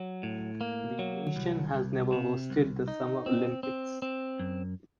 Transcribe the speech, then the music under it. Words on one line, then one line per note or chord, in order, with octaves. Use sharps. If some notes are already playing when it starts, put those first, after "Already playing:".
The nation has never hosted the Summer Olympics.
Already playing: F#3
A2
A#3
F#3
C2
C2
C3
C2
D#4
C4
C4
C4
F#2